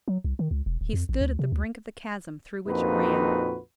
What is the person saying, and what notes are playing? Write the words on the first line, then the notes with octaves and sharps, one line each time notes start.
He stood at the brink of the chasm through which it ran.
F#3
C2
D#3
C#2
E1
D1
F2
A1
D2
C3
D2
A#1 F2 A#2 D#4 F#4 B4